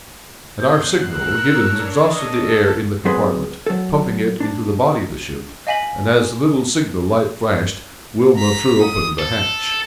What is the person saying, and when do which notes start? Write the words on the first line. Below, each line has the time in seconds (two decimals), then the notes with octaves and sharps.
At our signal, Gibbons exhausted the air in the compartment, pumping it into the body of the ship, and as the little signal light flashed, Wilma threw open the hatch.
0.60 E2 F#6 G6 C7
1.00 A#4 E6 F#6 C#7
1.56 D4 C#5
2.08 A4 D#5
3.05 F#3 C4 G#4 B4 C6
3.67 F#3 A4
4.40 D4
5.67 D#5 F5 G#5 B6 F#7
8.36 A#5 B6
8.81 D#6
9.19 A4